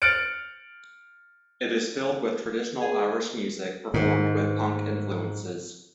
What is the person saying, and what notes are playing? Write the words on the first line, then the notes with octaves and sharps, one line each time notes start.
It is filled with traditional Irish music performed with punk influences.
F6 F#6 A6 C#7 D7
G#4
G#2 D#3